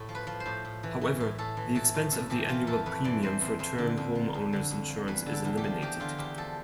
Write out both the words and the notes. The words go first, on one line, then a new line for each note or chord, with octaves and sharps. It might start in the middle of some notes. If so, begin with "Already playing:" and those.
However, the expense of the annual premium for term homeowners insurance is eliminated.
Already playing: A2
F3
B4
F3
C5
A2
A2
E3
E3
A2
A2 A4
E3
E3 A4
A2
F2 A4
E3 G4
E3 F4
F2 A4
F2 B4
E3 D5
E3 C5
F2 C5
F2 C5
D3
F2
F3
F2
D3
F2
F3
E2 B4
D3
A4
E2
G4
F3
E2 G4
D3 F4
E2 G4
F3 A4